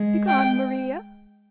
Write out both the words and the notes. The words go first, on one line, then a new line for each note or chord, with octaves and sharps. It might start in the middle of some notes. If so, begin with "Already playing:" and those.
Begone, Maria!
Already playing: G#3
G5